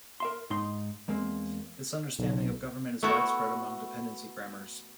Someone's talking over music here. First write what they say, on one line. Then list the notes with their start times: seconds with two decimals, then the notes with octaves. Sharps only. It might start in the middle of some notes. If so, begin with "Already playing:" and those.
This understanding of government is widespread among dependency grammars.
0.20 A#4 E5 C6
0.50 G#2 D#4 C6
1.08 E2 G#3 A#3 C4
2.19 B1
3.03 A3 B3 E4 F#4